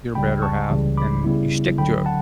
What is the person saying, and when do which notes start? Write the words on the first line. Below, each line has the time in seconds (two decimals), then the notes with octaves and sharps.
your better half, and you stick to it.
0.15 C#2 C#3 G3 G5 B5
0.42 A5 C#6
0.69 C#2 C#3 E3 G3
0.97 B5 D6
1.24 C#3 G3 B3 E4
1.78 D2 D3 F#3 G5 B5
2.06 F#5 A5